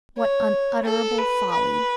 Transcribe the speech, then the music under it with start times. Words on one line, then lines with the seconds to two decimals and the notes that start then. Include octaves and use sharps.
What unutterable folly!
0.18 C#5
0.85 A4
1.18 B4
1.51 B4